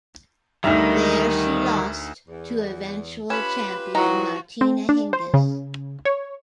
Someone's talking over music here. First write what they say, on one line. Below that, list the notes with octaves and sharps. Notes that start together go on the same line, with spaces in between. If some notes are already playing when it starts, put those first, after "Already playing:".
There she lost to eventual champion Martina Hingis.
D2 D#3 G3 D#4 A#4 E5
E2
C#4 F4 G4 B4 B5 E7
D#3 F3 F#3 G#3 E4 F#4 B4 A#5
C4
D4
C5
C#3
C#5